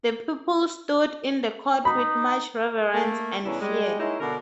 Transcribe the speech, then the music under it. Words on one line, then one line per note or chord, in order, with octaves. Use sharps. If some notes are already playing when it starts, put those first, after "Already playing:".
The people stood in the court with much reverence and fear.
D#4 B5
A3 A#3
E2 C#3 C#4 D4 E4 B4
G3 G#3
G#3 A#3 C#4 D#4 E4
B2 D3 A#4